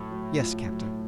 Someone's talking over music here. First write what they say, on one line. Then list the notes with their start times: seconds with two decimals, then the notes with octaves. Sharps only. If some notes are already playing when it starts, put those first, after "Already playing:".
"Yes, captain."
Already playing: A2 F#3 A3
0.11 F#3
0.40 F4
0.68 F#3